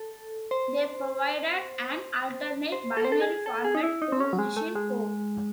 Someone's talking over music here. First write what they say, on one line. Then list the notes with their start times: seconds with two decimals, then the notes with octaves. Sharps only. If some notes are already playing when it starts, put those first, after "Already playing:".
They provided an alternate binary format to machine code.
Already playing: A4
0.51 C5
2.72 C5
2.97 A4
3.05 C5
3.12 A4
3.22 G#4
3.46 A4
3.64 G#4
3.75 D#4
3.83 E4
4.02 D#4
4.12 C4
4.20 C#4
4.33 F#3
4.39 G#3
4.57 A3
4.75 G#3